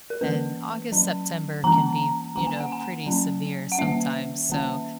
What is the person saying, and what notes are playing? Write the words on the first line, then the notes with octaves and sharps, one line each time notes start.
and August, September can be, you know, pretty severe sometimes, so,
A#4
E3 A#3 C#4 B4
F#3 C#4
E3 A#3 C#4 A#5
D#3 A#3 C#4 A#5
G#5
F#5
G#5
F#3 C#4
F#5
D#3 A#3 C#4 E5
D#3 A#3 C#4